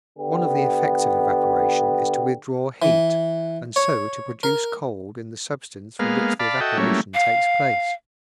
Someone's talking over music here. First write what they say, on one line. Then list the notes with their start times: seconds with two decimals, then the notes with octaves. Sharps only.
One of the effects of evaporation is to withdraw heat, and so to produce cold in the substance from which the evaporation takes place.
0.18 D3 B3 G4
2.82 E3
3.76 C#5
4.43 A#4
5.99 G#3 A#3 B3 F5
6.40 D5 F5 A5 B5
6.61 F#4 A4 D#5 E5 G5
6.78 F#3 G3 A3 A#3 C#4 E4
7.14 F5